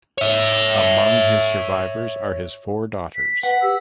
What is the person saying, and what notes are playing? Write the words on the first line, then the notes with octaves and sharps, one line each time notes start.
Among his survivors are his four daughters.
C#5 E5
B6
B4 F#5
G4 E6